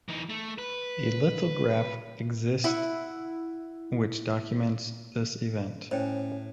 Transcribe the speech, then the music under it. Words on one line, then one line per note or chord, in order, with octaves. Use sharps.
A lithograph exists, which documents this event.
E3 D#4
A3
B4
E4 F#5
A2 C#4 C5 C#5 G5